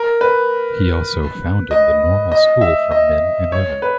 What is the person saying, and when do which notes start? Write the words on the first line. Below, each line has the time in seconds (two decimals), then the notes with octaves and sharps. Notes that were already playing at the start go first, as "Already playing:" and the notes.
He also founded the Normal School for Men and Women.
Already playing: A#4
0.21 B4
1.71 D#5
2.32 D#5
2.61 E5
2.92 D#5
3.52 C#5
3.82 B4